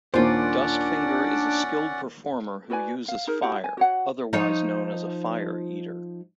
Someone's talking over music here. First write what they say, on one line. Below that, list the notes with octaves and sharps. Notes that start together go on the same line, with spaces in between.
Dustfinger is a skilled performer who uses fire, otherwise known as a fire-eater.
D#2 A#2 C#4 D4 F4 C5 D5 F#5
F#4 B4 D5 G#5
F5
D#4 G#4 A#4
E4 F#4 G4 F#5
G#5
F#4 C#5 F#5
F3 D#4 C#5